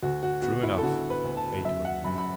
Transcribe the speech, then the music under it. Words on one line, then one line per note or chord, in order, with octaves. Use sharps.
"True enough," Ato admitted.
D2 F#4
F#4
B3 F#4
E4
A4
D3 F#4
B4
D2
A5
F#2 E5
F#5
F#2 B5
B5